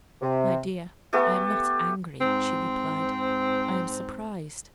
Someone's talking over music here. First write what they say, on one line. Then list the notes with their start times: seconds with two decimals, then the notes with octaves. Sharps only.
'My dear, I am not angry,' she replied: 'I am surprised.
0.21 C3
1.13 A3 B3 G4 A4
2.20 G#2 C4